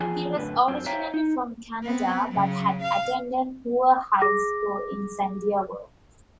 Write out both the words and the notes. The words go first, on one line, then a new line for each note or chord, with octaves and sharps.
He was originally from Canada but had attended Hoover High School in San Diego.
F2 E3 F3 F4 G#4 G#5
F#2 A2 D3 B4
F#2 C4
C5 C#5 E5 F5 G5 A#5
D#4
B3 C4
C#3 F#3
F5
G#4 D6 A#6